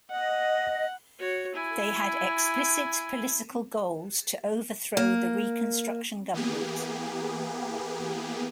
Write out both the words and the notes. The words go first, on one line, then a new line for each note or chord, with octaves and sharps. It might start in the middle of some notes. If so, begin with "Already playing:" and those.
They had explicit political goals to overthrow the Reconstruction government.
D#5 F#5
F#4 C#5
E4 G#5
A#3
E3 A#3 B3 G4 G#4